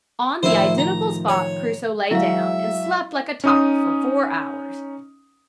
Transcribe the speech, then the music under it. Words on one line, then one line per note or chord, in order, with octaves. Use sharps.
On the identical spot Crusoe lay down and slept like a top for four hours.
A2 D#3 F3 E4 C5
A#5
C#5
F#3 G#3 E4 E5 F5
C#4 D#4 D#6